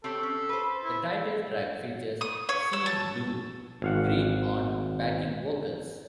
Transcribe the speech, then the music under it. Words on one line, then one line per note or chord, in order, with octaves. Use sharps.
The title track features Cee Lo Green on backing vocals.
C4 G4 A4 C#5
C#4
B4 C5
E4
D#6
C#5
E6
A5
G#1 F5 F#5